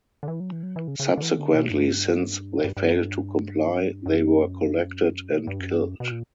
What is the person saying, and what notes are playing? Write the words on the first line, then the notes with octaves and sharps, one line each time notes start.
Subsequently, since they failed to comply, they were collected and killed.
D3
E3
F#3
E3
F#3
E3
C#3
C#3
D3
E3
D3
C#3
B2
G2
G2
G2
F#2
G2
F#2
B2
A#2
G2
F#2
G2
F#2
B2
A#2